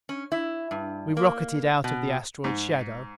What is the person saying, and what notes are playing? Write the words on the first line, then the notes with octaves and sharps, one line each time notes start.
We rocketed out of the asteroid's shadow.
C#4
E4
G2
A#3
B2
G#2